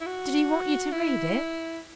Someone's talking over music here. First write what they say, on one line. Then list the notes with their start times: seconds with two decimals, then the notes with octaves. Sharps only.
"Did he want you to read it?"
0.01 E4
0.06 F#4
0.92 E4